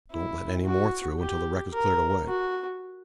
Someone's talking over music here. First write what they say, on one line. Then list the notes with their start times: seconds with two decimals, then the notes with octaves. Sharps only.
Don't let any more through until the wreck is cleared away.
0.11 E4
0.65 F#4
1.19 G4
1.73 A#4
2.27 F#4